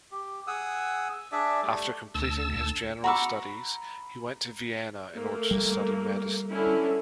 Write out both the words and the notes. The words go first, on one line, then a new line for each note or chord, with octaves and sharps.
After completing his general studies he went to Vienna in order to study medicine.
G4
G#4 F#5 D#6 E6
D4 G#4 D5 E5
G3 A3
D2 A5 E6
F#4 A#5 B5 C#6 D6 E6
A3 A#3
G3
D3 C#4 E4